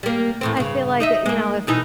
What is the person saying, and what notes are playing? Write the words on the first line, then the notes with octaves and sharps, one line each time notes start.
I feel like, you know, if
G3 A#3
E2 A2 C4
G2 C#3
D#4 D#5 E5
G#3 A#3
B2 E3 D#4